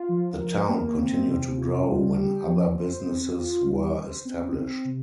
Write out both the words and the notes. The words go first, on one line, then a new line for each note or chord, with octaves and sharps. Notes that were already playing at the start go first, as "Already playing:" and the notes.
The town continued to grow when other businesses were established.
Already playing: F4
F3
A#4
A#3
C4
C3
F4
G3
G4
F3
C5
C4
F4
G3
C5
C4
C4
C3